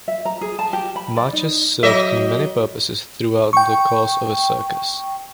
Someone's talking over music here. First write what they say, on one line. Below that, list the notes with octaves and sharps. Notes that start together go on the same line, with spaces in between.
Marches served many purposes throughout the course of a circus.
E5
A#5
G#4
A5
G4
B5
D5
D#4
F#3 D#5 E5
G5 C#6